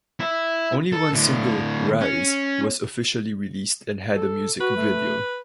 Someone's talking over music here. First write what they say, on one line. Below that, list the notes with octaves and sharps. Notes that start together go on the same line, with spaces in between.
Only one single, "Rise", was officially released and had a music video.
E4
A4
A2 D3
C#4
A4
F#4 B4
A3